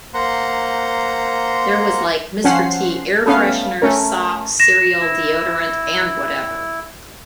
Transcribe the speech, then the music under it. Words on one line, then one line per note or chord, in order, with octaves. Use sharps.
There was like Mr. T air fresheners, socks, cereal, deodorant, and whatever.
A#3 C5 F#5 A#5 C6
F3 C#4 C5 F#5 C7
A3 B3 C#4 F5
A3 C#4 A#4
A#6 E7
E4